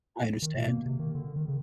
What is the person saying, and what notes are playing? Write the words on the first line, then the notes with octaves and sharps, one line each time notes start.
I understand.
D#3
B2
A#3
C3
D#3
D3
D#3
C#3